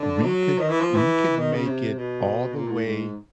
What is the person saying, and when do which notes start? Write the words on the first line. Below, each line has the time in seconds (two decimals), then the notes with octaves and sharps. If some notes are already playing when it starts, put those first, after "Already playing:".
we could we could make it all the way
Already playing: D3
0.23 F#3
0.59 D#3
0.69 E3
0.80 F3
0.95 E3
1.37 D#3
1.53 C#3
1.67 C3
1.96 B2
2.53 A#2
2.68 A2
2.82 G#2